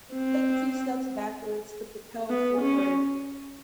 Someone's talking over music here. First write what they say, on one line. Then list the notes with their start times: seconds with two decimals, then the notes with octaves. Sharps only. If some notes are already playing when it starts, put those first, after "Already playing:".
take a few steps backwards to propel forward
0.14 C4
2.30 B3
2.61 C#4